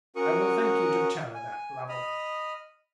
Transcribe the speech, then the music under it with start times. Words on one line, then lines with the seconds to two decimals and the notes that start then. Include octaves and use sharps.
I will thank you to tell her that, Lovell.
0.16 C#4 F#4 A#4 F#5 C#6 D#6
1.34 G#5
1.89 D#5 B5 D#6 F6